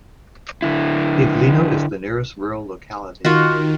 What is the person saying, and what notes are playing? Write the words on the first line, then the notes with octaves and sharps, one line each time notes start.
Iglino is the nearest rural locality.
D3 E4
D#3 F4 F#4